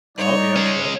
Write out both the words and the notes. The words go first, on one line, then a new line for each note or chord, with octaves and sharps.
Oh, yep, yep.
G3 D#4 C#5 D5
G#3 C#4